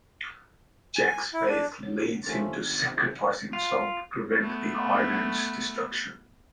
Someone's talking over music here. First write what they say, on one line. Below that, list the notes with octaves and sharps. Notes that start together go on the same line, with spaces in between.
Jack's faith leads him to sacrifice himself to prevent the island's destruction.
G#5
E4
D4
D3 C#5
D#2 F3 A3 C#4 A4
G1 D#3
C3
F4
A3 B3